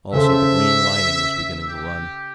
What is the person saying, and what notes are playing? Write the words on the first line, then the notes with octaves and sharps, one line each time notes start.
Also the green lining was beginning to run.
C#3 A4 C5 E5
G4